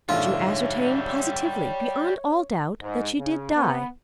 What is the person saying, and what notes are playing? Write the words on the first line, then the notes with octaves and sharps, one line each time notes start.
"Did you ascertain positively, beyond all doubt, that she did die?"
A#1 G#2 D3 G3 F4 C#5 E5
G#2
C#3
B3